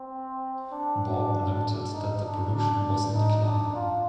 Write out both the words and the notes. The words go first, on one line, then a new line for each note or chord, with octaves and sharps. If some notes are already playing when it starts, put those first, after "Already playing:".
Bob noted that the pollution was in decline.
Already playing: C4
D4
D#4
D4
D4
D#4
D4
F4